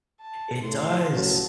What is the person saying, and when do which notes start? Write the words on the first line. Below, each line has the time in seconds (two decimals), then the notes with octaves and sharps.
It does.
0.21 A5
0.63 A2 C6
1.12 A1 F#3 A5